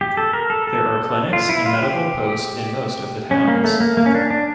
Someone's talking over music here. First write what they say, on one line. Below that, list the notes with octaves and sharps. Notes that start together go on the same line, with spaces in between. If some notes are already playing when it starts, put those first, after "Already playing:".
There are clinics and medical post in most of the towns.
G4
A4
A#4
A4
A4
F4
E4
F4
G4
C#4
A#3
A3
A#3
A#3
C#4
D4
D4